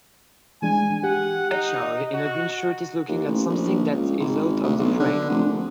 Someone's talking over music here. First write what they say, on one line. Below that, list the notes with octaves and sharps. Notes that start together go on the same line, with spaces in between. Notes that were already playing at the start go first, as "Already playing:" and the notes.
A child in a green shirt is looking at something that is out of the frame.
E3 G#3 D4 G#5
G4 F#5
D#4
D#5
F#4
D#2
A1
A#1
C#2
G#1
D2
B1
D3
F1
A#1